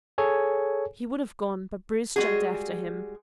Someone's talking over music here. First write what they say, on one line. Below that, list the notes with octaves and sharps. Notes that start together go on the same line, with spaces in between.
He would have gone, but Bruce jumped after him.
G#4 A4 C#5 G#5
G3 G#3 D4 F#4 G#4